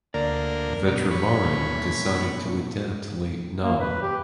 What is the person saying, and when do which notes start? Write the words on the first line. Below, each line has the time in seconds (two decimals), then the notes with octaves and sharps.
Vetrimaaran decided to adapt late Na.
0.14 D2 A#3 A#4 D5
0.87 B2
1.11 C#5 B5
1.43 B2 A#3 D#4
3.63 A#3
3.80 B4
4.02 G4